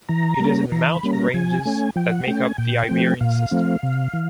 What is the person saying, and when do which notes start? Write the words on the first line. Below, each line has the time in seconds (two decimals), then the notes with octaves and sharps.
It is in the mountain ranges that make up the Iberian System.
0.09 E3 A#5
0.40 G3 A#3 C#4
0.72 E3 A#5
0.92 B5
1.03 G3 A#3 C#4
1.13 A#5
1.34 F3 G#5
1.65 A3 C#4
1.96 F3 G5
2.11 F#5
2.27 A3 C#4 G5
2.43 G#5
2.58 A#2 G5
2.89 F3 A3 C4
3.21 A#2 F5
3.51 F3 A3 C4
3.83 C3
4.13 E3